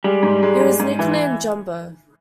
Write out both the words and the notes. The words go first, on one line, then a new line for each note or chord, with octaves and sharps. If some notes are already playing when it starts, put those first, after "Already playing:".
He was nicknamed "Jumbo".
G3 G#3
G#2
G#3
G#2
G#2
E3